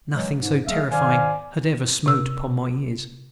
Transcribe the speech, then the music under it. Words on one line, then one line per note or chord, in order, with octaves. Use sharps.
Nothing so terrifying had ever smote upon my ears.
E3 F#3 G#3
G#2
F#3 G#3 A3 G#4 E5 F5
G#2 D#3 C5 D5 F5 G#5
C3 E6